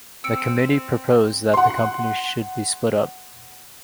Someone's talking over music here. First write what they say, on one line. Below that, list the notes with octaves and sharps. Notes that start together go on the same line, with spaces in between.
The committee proposed that the company should be split up.
C4 E6 C#7 D7
F#5 C6